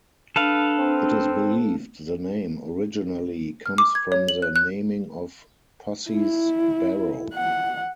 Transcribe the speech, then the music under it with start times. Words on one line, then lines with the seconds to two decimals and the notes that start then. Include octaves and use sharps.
It is believed the name originally comes from the naming of 'Pusse's barrow'.
0.36 D4 A4 B4 F5
0.79 C4
3.66 F6
3.78 D6
3.95 G#6
4.12 C#5
4.29 F#7
4.42 F#6
4.56 F#6
6.10 E4
7.34 F#5